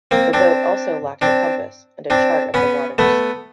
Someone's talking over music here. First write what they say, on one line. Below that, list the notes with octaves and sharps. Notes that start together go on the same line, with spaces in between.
The boat also lacked a compass and a chart of the waters.
A#3 C4
C4 D4
C4 D4
C4 D4
B3 C#4
A3 B3